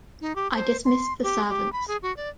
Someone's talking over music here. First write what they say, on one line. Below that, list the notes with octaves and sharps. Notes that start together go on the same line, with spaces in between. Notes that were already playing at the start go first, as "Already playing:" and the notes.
I dismissed the servants.
D#4
G4
C5
C6
G4
G4
B5
G#4
F#4
D5